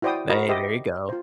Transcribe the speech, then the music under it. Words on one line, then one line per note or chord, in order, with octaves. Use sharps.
Hey, there you go.
E4 F#4 C5 D5 G5 D#6
F#4 A#4 F#5 A#5 B5 D#6
G4 C5 D#5 E5
F4 C5